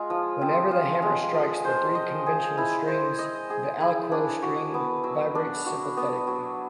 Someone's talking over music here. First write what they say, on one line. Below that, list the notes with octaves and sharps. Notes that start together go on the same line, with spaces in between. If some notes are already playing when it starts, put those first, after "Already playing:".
Whenever the hammer strikes the three conventional strings, the aliquot string vibrates sympathetically.
Already playing: G#3 F4
F3
C4
F4
G#3
F3
C5
D#5
G#4
E4
C5
D#5
G#4
E4
D4
F#4
B3
F#3
D4
F#4
B3
F#3